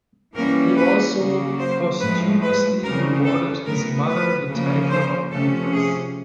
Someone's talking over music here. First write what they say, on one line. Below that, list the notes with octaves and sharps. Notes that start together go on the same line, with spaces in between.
He also posthumously rewarded his mother the title of empress.
E3 G3 A#3 C#4 A#4
B4
C#3 F#3 A#3
C5
A2 F3 G#3 B4
B4
C#3 E3 G3 C4 A#4
A4
A2 F#3 B3 A#4
B4
C#3 F3 A#3 C#4
C5
C3 F3 A3 C#4 A4
G#4